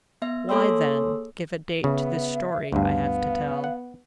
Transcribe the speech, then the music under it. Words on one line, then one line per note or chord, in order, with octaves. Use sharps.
Why then give a date to this story I have to tell?
B3 E5
A#3 G#4 A4 C#5 C6 E6
C#3 B3 E5
D2 G2 B3 F5
F#5